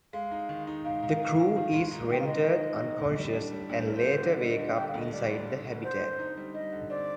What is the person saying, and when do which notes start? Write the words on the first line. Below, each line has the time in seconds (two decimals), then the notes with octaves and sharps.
The crew is rendered unconscious and later wake up inside the habitat.
0.13 G#3 F5
0.31 D#4
0.49 D#3
0.67 D#4
0.85 G#2 F5
1.03 G#2
1.20 D#3
1.38 G#2
1.56 D#3
1.73 G#3
1.91 D#4
2.09 D#3 G5
2.20 F5
2.27 G#3 D#5
2.45 D#4
2.63 G#3
2.80 D#3
2.98 D2
3.16 G3
3.33 D4
3.52 G3
3.69 D2 D5
3.78 C5
3.86 D2 A#4
3.95 C5
4.05 D3
4.23 D3
4.41 G3 D#5
4.59 D3
4.75 D3 G5
4.87 F5
4.94 D2
5.00 D#5
5.12 G3 D5
5.30 D3
5.48 D3
5.65 D3
5.84 D3 C5
6.01 C4
6.19 D#4
6.37 G3
6.54 G3 D#5
6.72 D3
6.90 C4 D5